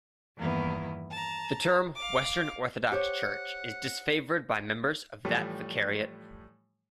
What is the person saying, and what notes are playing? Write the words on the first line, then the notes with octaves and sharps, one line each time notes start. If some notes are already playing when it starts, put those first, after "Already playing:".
The term "Western Orthodox Church" is disfavored by members of that Vicariate.
E2 G2 D#3 A#3 B3 E4
A5 A#5
F5 D6
G4 C5 C#5 F#5
A2 E3 F3 G3 A3